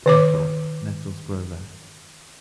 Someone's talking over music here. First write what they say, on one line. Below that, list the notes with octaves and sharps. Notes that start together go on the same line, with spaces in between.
Careful, nettles grow there.
D#3 C#5 D6